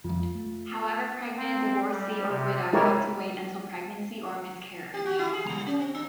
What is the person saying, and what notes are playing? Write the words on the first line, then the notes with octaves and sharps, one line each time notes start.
However pregnant divorcee or widow have to wait until pregnancy or miscarriage.
F2 F3 F4
A3
C4
G3
C3
G#3 E4 G4 A#4 C#5
G4
F#4
E4
G#4
G3
C#4
C4
D4